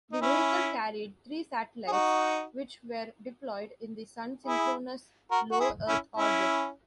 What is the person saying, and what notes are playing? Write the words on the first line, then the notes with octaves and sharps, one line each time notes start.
The vehicle carried three satellites which were deployed in the Sun-synchronous Low Earth orbit.
D#4
C#4 E4
G#4
D#4 F#4
E4 G#4
F#4 A#4
F#4
E4 G#4
C#4 E4
C#4 E4